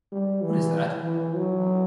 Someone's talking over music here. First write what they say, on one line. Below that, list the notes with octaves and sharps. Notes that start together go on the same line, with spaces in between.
What is that?
G3
E3
E3
F#3